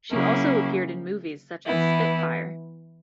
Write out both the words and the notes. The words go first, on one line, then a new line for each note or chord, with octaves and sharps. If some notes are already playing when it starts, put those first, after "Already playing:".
She also appeared in movies such as "Spit Fire".
C#3 F#3 A#3 C#4 E4
E3 B3 E4